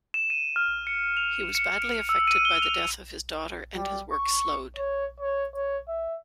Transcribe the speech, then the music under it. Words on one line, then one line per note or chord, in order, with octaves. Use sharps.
He was badly affected by the death of his daughter and his work slowed.
E7
D#7
F6
C#7
F7
C#7
D7
E6
D#7
G7
F7
G3
C#6
C#5
C#5
C#5
E5